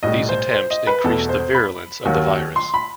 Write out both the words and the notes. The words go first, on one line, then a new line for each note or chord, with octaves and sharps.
These attempts increased the virulence of the virus.
B1 A2 G3 D#5
C5
C5
D#5
B4
E2 B2 A3 A4
C5
B5
D#2 D#3 F#3
C6
B5